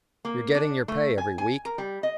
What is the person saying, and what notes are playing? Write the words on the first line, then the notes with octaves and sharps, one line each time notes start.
You're getting your pay every week.
A#3
D4
A3
G#5
G#5
A#4
G3
D#5